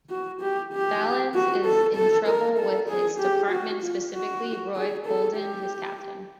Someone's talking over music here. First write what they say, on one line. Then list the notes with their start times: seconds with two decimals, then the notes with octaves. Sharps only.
Valens is in trouble with his department, specifically Roy Klodin, his captain.
0.10 F#4
0.41 G4
0.73 G4
1.34 F#4
1.65 A4
1.96 A4
2.27 A#4
2.58 A4
2.89 G#4
3.20 G4
3.51 F#4
3.82 F4
4.13 F#4
4.75 G#4
5.06 A4
5.37 G4